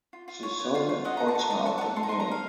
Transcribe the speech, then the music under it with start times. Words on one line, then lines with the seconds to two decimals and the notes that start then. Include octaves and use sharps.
She sold at Portsmouth in May.
0.13 F4
0.28 F4
0.43 C#5
0.59 C#5
0.75 F4
0.89 F4
1.05 D#5 F#5
1.17 A4 A#5
1.28 A5
1.35 A4 A#5
1.50 D#5 A#5
1.65 A4 A5
1.78 F#5
1.81 A4 A5
1.96 A4 C6
2.03 A#5
2.09 D#4 C6
2.20 A#5
2.27 D#4 F5